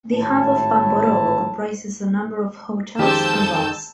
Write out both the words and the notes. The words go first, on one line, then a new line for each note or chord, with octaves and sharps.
The hub of Pamporovo comprises a number of hotels and bars.
G#1 A2 A3 E4 C#5 A5
F2 D#3 G#3 G4 A5 E6 G6